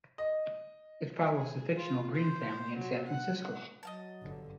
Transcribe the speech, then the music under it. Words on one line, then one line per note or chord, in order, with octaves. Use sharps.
It follows the fictional Green family in San Francisco.
D#5
G#4
F4
C5
F#3
F#5
F#3 D#5 F5 A5
G1 D3